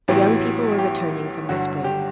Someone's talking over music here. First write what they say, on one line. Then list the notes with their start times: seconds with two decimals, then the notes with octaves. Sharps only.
The young people were returning from the spring.
0.08 A1 A2 F#3 B3 E4 G4
0.78 G4
1.49 G1 G2 D3 F#3 F#4
1.84 G4